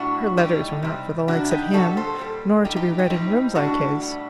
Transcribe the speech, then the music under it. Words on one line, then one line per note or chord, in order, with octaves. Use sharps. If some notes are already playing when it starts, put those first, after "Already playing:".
Her letters were not for the likes of him, nor to be read in rooms like his.
Already playing: A2 G3 D4 F#4
A2 G3 D#4 G4
C3 G3
C3 G3 D4 F#4
D#4 G4
A#2 G3 F#4 A4
A4 C5
A#2 G3
A2 G3 D#4 G4
D#4 G4
D#4 G4
A2 G3 C4 D#4
A2 G3 D4 F#4
A2 G3